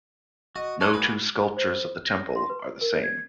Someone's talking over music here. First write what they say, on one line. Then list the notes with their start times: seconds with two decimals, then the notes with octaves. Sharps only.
No two sculptures of the temple are the same.
0.56 F#4 D#5
0.81 D4 E4 C#5 F#5
0.93 A#3 F#4 G#4 B4
1.57 C5
2.06 A#6
2.36 C6
2.50 B4
2.81 A#4
3.04 G#6